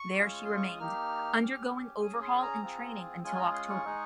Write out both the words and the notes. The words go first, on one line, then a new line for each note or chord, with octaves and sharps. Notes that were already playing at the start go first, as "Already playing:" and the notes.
There she remained, undergoing overhaul and training until October.
Already playing: C#6
G#3 C#4 F4
C6
C#6
D#6
A#3 D#4 G4 F6
C#4 G4
C#4 G#4 D#6
C6
A#5
C4 F4 G#4
G#3 C#4 F4 G#4 G#5
G#5
A#5
C6
C#6
G#3 D#4 G#4